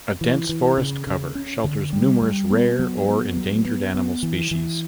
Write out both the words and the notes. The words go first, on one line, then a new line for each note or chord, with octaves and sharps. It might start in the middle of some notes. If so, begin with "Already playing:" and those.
A dense forest cover shelters numerous rare or endangered animal species.
E3
E3
C#3
C#3
C#4
D3
G3
G3
B3
F#3
B3
F#3
B3
B3
E3
E3